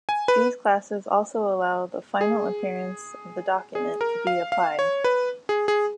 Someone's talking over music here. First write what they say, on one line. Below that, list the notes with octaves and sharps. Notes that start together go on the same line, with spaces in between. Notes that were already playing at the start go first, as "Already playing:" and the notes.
These classes also allow the final appearance of the document to be applied.
G#5
B4
G#4
G#4
A#4
F5
F5
C#5
B4
G#4
G#4